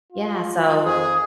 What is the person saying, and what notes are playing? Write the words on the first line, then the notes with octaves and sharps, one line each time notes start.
yeah so
F4
F2 G#4 D#6